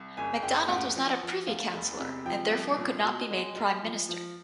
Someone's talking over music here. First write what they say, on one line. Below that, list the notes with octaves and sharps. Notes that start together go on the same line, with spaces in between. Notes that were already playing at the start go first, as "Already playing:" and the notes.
MacDonald was not a Privy Councillor, and therefore could not be made Prime Minister.
Already playing: C2
F#1 G#5
F#1 G5
A1 F#5
F3
F3
D2 F5
E1
C3
F3 G5
C2
A#2
B2
G#3
G#3
F3
F3